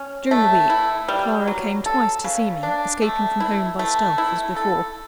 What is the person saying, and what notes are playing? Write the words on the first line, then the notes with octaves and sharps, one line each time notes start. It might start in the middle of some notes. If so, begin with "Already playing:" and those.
During the week, Clara came twice to see me--escaping from home by stealth, as before.
Already playing: C#4
A3
E4
G3
F#3
A4
C#3
D4
A3
E4
A3
E4
A4